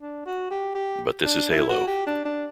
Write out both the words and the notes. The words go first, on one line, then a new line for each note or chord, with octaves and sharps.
But this is Halo.
D4
F#4
G4
G4
D4
E4
F#4
G4
D4
D4